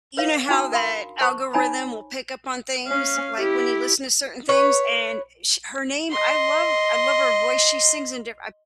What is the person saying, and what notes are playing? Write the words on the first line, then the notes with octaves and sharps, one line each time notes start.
you know, how that algorithm will pick up on things, like, when you listen to certain things, and sh her name I love I love her voice, she sings in diff I
B4 C#5 F5
D4 D#4 F#4 A5 D#6
A#4 F5 B5 C6
C5 A5 C#6
D#4 C#5 G#5 A#5 B5
C#4 F5
E4 G4
B4 C#5
D#5 C6